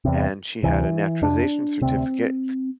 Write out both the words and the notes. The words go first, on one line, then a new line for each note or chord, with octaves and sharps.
and she had a naturalization certificate,
E2 C3
D2 C3 E3
F2 C3 D4
D2 C3 C4